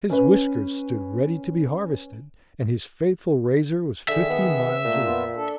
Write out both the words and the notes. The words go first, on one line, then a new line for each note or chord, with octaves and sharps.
His whiskers stood ready to be harvested, and his faithful razor was fifty miles away!
C#4 B4
D3 D#3 G#4 E5
B3
A#2 A3 A#3
B3 F4
D4 A4